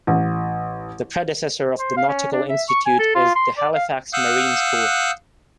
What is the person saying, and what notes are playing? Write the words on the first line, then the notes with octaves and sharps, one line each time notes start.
The predecessor of the Nautical Institute is the Halifax Marine School.
A1
C5
F5
C#4
D4
E5
C#6
G#5
A4
F4
C6
D5
F5
F5 F#5 D#6 E6 F#6 G6